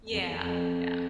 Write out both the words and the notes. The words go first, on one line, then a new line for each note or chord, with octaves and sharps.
Yeah. Yeah.
F2
E2
F2